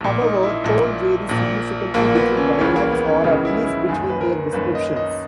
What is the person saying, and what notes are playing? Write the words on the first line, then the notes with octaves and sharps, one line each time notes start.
However, tone varies significantly between dialects, or at least between their descriptions.
A#1 A#2
D#4
E4
A#1 A#2
A#1 A#2
A#1 A#2 A#3
B3
C#4
C#2 C#3 E3 C#4
A#3
B3
C#4
C#2 C#3 E3 D#4
E4
E4
F#1 F#2 D#3 G#4
B4
A#4
F#1 F#2 D#3 B4
D#5
D#5